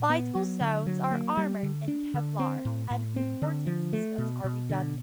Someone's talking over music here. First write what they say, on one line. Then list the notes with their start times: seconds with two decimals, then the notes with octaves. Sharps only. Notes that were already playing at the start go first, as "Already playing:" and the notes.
Vital zones are armoured in Kevlar, and important systems are redundant.
Already playing: A#2
0.10 B3
0.35 F#3
0.61 D3
0.86 F#3
1.11 A#3
1.37 G3
1.63 D3
1.88 D4
2.14 D3
2.39 C4
2.65 A2
2.90 A2
3.16 C4
3.42 D3
3.67 F3
3.93 A3
4.18 B2
4.44 B2
4.70 D3